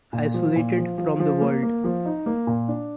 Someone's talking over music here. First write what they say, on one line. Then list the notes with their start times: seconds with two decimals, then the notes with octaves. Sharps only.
"Isolated From The World".
0.13 A#2
0.34 F3
0.56 A#2
0.78 F3
0.98 F3
1.20 F3
1.41 A#3
1.62 A#3
1.84 F3
2.05 D#4
2.26 A#3
2.47 A#2
2.68 D4